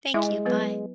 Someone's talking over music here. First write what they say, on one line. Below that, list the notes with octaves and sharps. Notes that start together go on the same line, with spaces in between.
thank you. Bye.
G#3 E4 E5
F#3 B3 B4